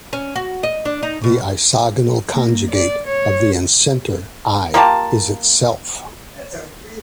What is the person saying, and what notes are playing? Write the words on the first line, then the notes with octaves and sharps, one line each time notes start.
The isogonal conjugate of the incentre "I" is itself.
C#4
F#4
D#5
D4
D#4
B2
A#3
D5
C#5
A#3 F4 G4 A5